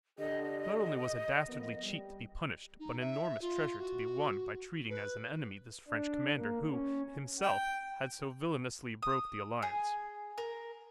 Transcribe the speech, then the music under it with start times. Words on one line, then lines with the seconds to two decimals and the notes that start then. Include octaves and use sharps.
Not only was a dastardly cheat to be punished but an enormous treasure to be won by treating as an enemy this French commander who, himself, had so villainously broken the alliance.
0.19 D3 G4 D#5
1.49 F2 A#3 B3
1.84 G3
2.80 D#4
3.00 E5
3.42 F4
3.79 F#4
4.90 B4
5.88 D4
6.36 A#3
6.69 C#4
7.40 G5
9.02 D#6
9.63 G#4
10.38 A#4